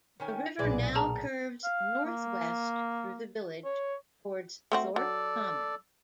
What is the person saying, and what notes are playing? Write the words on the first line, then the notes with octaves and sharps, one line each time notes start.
The river now curves northwest through the village towards Thorpe common.
D#3 C#4 G#5
B1 A#2 E3 G#3 D5
D#3 G#4 A5 A#5
F5
A#3
C#5
A3 C4 F#4
F#3 A4 D5